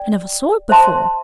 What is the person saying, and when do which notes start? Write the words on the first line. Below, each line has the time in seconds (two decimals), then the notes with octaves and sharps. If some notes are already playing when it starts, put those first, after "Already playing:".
I never saw it before.
Already playing: D5 G5
0.69 C5 E5 A5 C6